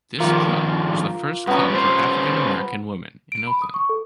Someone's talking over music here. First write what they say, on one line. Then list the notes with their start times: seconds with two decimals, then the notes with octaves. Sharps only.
This club was the first club for African American women in Oakland.
0.20 G2 D#3 F3 A#3 F4
1.47 G2 B3 C#4 A#5
1.70 G3 C#4 C5
3.32 D7
3.47 B5
3.62 D#6
3.74 C#6
3.89 A4